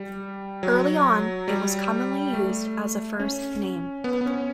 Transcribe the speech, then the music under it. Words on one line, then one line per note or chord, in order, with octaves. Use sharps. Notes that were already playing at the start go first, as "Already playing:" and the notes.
Early on, it was commonly used as a first name.
Already playing: G3
F#3
G3
A3
C#4
B3
B3
C#4